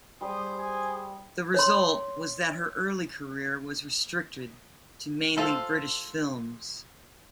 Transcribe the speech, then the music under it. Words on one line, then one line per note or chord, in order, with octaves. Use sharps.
The result was that her early career was restricted to mainly British films.
G3 G#4 C5 D#6
G#4 G#5
C#5 C6
F4 A4 C5